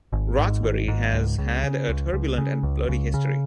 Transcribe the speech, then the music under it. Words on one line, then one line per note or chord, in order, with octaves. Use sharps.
Rothbury has had a turbulent and bloody history.
G#1
G#2
G#1
G#2
C#2
C#2
C#3
C#2
C#2
C#3
C#2
C#2
C#3